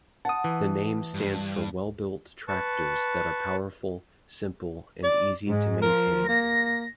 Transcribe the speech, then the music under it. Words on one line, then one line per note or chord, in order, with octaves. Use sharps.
The name stands for well-built tractors that are powerful, simple and easy to maintain.
F#5 A5 D#6
E3
G2
B4 A5 C#6
D5
G#2 G#3
F3 A#4
A#3 A#6